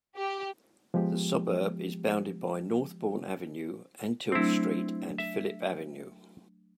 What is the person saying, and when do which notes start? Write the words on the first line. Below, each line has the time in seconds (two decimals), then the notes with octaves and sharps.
The suburb is bounded by Northbourne Avenue, Antill Street and Philip Avenue.
0.17 G4
0.94 F3 G#3 B3 G4
4.32 F#3 A3 C4 D4 E4
5.18 E5